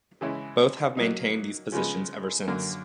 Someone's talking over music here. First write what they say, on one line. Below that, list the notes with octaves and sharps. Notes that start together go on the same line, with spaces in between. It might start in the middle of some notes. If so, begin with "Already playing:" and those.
Both have maintained these positions ever since.
C#3 E3 G#3 C#4 E4
F#3 A#3 D#4
C#3 F3 G#3 B3
F#2 D3 F#3 A#3